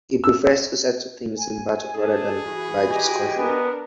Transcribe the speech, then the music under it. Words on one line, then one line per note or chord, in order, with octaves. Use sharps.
He prefers to settle things in battle, rather than by discussion.
E6
G#5
D4 G#4 A4 A5
E3 F#4 B5
G4 D#5 G#5
B3 D4 A#4